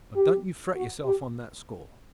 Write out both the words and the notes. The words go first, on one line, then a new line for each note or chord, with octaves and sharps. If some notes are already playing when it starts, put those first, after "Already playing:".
But don't you fret yourself on that score.
G4
F#4
G4